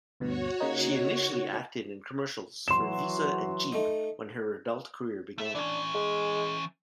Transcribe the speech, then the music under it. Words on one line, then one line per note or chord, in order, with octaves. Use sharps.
She initially acted in commercials for Visa and Jeep when her adult career began.
D2 G2 B2 F#4 C#5
C#3 A#3 D#4
E3 F#3 F#4 C6 E7
A3 D#4
A3 E5
E3 C#4 D4
G#3